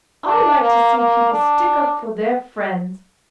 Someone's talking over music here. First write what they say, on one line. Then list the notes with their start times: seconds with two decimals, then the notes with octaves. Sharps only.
I like to see people stick up for their friends.
0.24 D4
0.60 A#3
0.96 A#3
1.31 D4